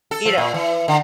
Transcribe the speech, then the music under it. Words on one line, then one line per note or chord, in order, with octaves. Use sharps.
you know,
A4
F3
A#2
E3
D3